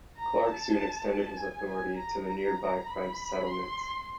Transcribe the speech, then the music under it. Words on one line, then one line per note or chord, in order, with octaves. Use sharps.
Clark soon extended his authority to the nearby French settlements.
A#5
A5
A5
G#5
G#5
A#5
A#5
B5
C6